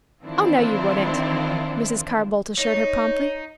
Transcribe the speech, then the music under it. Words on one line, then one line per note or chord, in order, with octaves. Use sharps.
"Oh, no, you wouldn't," Mrs. Carr-Boldt assured her promptly.
D#3 E3 C4 D4 E4 F4
D#4 C#5